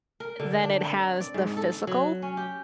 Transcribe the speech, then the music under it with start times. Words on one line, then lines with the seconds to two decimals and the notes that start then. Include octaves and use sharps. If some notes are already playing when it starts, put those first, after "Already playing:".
Than it has the physical.
0.20 A#4
0.40 D3
0.63 D4
0.84 C4
1.20 D5
1.34 G#2
1.57 A4
1.87 F#3
2.22 C#4
2.37 G4